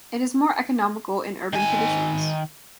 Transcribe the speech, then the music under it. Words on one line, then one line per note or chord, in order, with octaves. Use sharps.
It is more economical in urban conditions.
D#3 G#5